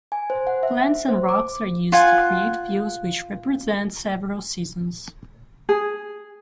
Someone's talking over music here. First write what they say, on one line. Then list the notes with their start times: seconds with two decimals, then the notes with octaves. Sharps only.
Plants and rocks are used to create views which represent several seasons.
0.12 G#5
0.30 C5
0.47 F#5
0.63 E5
1.08 C5
1.29 D6
1.92 F4 F#5 G#5
5.69 G#4